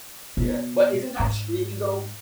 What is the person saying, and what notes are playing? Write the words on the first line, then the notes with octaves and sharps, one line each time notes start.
Yeah, but isn't that streaming, though?
B2
G#2